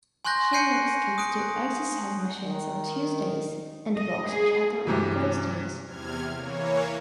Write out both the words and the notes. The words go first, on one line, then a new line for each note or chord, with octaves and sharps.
She makes kids do exercise machines on Tuesdays and box each other on Thursdays.
G#5 C6 C#6 F#6 G6 A#6
G#5 F#6 G6 C7 C#7 D#7
D#6 F#6 D7
D#3
D#5
G#4
G2 C3 E3 F#3
E2 C3 F6 G#6
E3 A#3 C#5